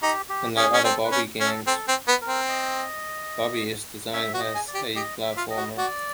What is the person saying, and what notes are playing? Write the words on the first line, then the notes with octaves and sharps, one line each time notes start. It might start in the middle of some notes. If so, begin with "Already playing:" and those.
Unlike other Barbie games, "Barbie" is designed as a platformer.
D#4 G4
G4
C#4 G#4
C#4
C4 A4
B4
C#4
C#4
A4
C4 A4
C4
B3
A#4
C4
D#5
C#4 E5
F#4
D#5
G#4
D5
G4
G4 D#5
E5
F4
D#5
F#4
F#4 D5